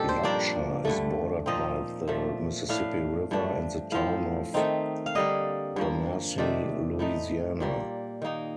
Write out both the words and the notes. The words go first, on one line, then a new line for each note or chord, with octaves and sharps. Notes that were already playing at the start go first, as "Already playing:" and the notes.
Lutcher is bordered by the Mississippi River and the Town of Gramercy, Louisiana.
Already playing: A#2 G3 C4 D#4 G4 A4
C5
G2 F3 A#3 D4 D5
G2 D3 A3
A#2 F3 C4 D#4 D#5
A#2 F3 A3
A2 A3 D4 F5
G2 F3 A3 D4
A2 F3 C4 F5
D#3 A3 C4 D#4
F5
D3 G3 A#3 D#5
G2 F3 A#3
C3 D#3 A3 D5
A2 A3 D#4
A#2 G3 A#3
D#3 A#3 D#4